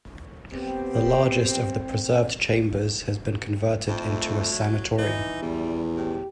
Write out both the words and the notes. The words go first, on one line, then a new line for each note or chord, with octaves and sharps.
The largest of the preserved chambers has been converted into a sanatorium.
B3 C4 G4
F2 A3
F#3
E3 D#4
E2 G3
A2 G4